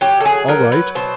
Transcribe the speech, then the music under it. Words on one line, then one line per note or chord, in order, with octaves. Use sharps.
'All right.
F#3 G4
A4
G#4
F#3 A#4
B4
B2 C5